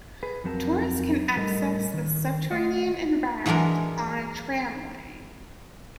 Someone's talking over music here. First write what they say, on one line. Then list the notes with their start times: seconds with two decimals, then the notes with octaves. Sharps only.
Tourists can access the subterranean environment on a tramway.
0.23 G#4 B4
0.44 F2 F#3 C4 A#4 A5
1.36 A2 G3 A4 A#4 D#5
1.94 D#3
2.51 A3 D#5 F#5
3.46 E3 F#3 G#3 D4 A#4